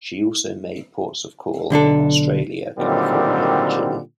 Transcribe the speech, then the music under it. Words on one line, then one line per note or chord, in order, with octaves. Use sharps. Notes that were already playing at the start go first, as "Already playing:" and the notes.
She also made ports of call in Australia, California, and Chile.
B1 D3 D4 A4
A#2 D3 D#3 F#3 G3 C4